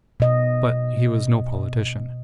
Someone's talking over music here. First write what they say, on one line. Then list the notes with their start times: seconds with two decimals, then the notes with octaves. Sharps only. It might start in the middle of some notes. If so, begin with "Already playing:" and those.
But he was no politician.
0.20 B2 D#5